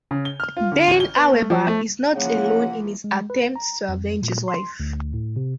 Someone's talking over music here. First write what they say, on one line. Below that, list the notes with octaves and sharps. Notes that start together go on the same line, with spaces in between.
Ben, however, is not alone in his attempts to avenge his wife.
C#3
G7
F6
F4
D3
A1
G7
B3
A3
F3
A3
C#3 E3 F3 A#3 F#5
G#3
B4
A#5
F2
A#2
C6
D2
A2
C3